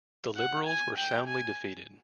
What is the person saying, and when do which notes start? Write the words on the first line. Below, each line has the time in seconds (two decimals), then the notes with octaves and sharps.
The Liberals were soundly defeated.
0.37 F#5
0.67 G#5
0.97 G5
1.28 G#5